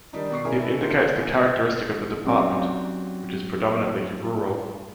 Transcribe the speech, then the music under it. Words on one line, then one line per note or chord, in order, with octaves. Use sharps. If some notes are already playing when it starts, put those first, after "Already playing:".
It indicates the characteristic of the département, which is predominantly rural.
D#3 G3 D4 D#4
B2 D5 C#6 C7
C#4 E4 G4 G#4 A#4
E4 A4 B4
G4 A#4 C5
G#3
F#3 C4 C#4 D#4 G4 D5